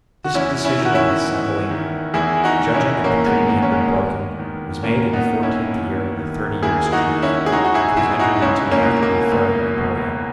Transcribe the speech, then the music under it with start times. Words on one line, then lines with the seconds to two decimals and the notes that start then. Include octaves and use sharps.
This decision of the assembly, judging that the treaty had been broken, was made in the fourteenth year of the thirty years' truce, which was entered into after the affair of Euboea.
0.24 F#4
0.34 E2 C#4 E4
0.65 C#4 E4
0.79 D#3
0.85 F#4
0.95 C#4 E4
1.25 E2
1.70 D#3
2.14 E2 E4 G#4
2.44 D#4 F#4
2.59 D#3
2.74 C#4 E4
3.04 E2 A#3 C#4
3.26 G#3 B3
3.49 D#3 A#3
3.62 C#4
3.71 G#3 B3
3.94 D#2
4.39 D#3
4.83 D#2 A#3 C#4
5.13 B3 D#4
5.29 D#3
5.43 C#4 E4
5.73 D#2
6.17 D#3
6.62 D#2 E4 G#4
6.87 G#4
6.92 D#4 F#4
7.07 D#3
7.22 C#4 E4
7.46 G#4
7.52 C#2 D#4 F#4
7.64 F#4
7.74 E4 G#4
7.97 B2 E4 G#4
8.19 D#4 F#4
8.36 D#4
8.41 C#2 C#4 E4
8.71 A#3 C#4
8.86 B2
9.02 A#3
9.32 C#2
9.77 B2